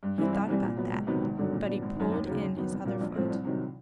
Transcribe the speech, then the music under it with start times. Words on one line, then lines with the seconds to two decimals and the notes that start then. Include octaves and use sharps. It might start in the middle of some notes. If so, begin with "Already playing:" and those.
He thought about that, but he pulled in his other foot.
0.03 G2
0.18 E3 G3 C4 E4
0.33 C2
0.47 C3 E3 G3
0.63 A#2
0.77 F#3 B3
0.92 C#2
1.07 C3 D#3 F#3 B3
1.22 G#1
1.37 G2 D3 F#3
1.52 A#2
1.66 F#3 B3 D4
1.82 G#1
1.96 F#2 D#3
2.12 D#2
2.27 C#3 F#3
2.42 F#2
2.56 D#3 F#3 B3 D#4
2.71 C2
2.85 A#2 F#3 A#3
3.01 A#1
3.15 A2 F3 A3 C4
3.30 C2
3.45 C3 D#3 F#3